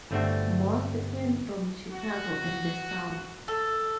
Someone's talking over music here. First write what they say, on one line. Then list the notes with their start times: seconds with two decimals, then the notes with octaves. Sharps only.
Most came from Chicago and the South.
0.11 G1 A3 C4 D4 F#4
1.92 F#4
3.48 A4